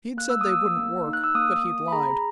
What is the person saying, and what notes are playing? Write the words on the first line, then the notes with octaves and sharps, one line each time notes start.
He'd said they wouldn't work, but he'd lied.
A#3 F#6
E6
D#6
A#3
E6
A#3
D#4
F#6
E6
A#3 D#6
A#3
B5
G#4 A#5